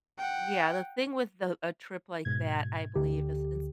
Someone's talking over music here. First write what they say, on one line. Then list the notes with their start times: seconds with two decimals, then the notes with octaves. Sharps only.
Yeah, the thing with the a trip like that, I believe, is ins
0.18 F#5 G5
2.25 G#2 B2 G#6
2.95 D2 D3 G4